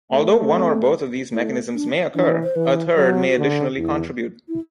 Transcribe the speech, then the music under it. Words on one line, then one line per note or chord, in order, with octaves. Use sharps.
Although one or both of these mechanisms may occur, a third may additionally contribute.
A3
C4
A3 E4
D4
E3 D4
C5
E3 B4
F#3 A4
G4
F#4
D3
E2 E4
E4